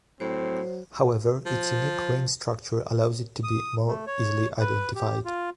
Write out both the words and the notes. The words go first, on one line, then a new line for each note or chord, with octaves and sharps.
However, its unique ring structure allows it to be more easily identified.
A2 F#3 C4 C5
F3
D#6
A3
C#5
B4
G4
F4